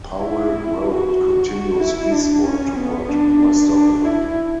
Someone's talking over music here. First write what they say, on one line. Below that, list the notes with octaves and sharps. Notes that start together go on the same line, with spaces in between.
Powell Road continues eastward toward Westerville.
E4
F#4
F#4
E4
D4
C#4
B3
D4
D4
E4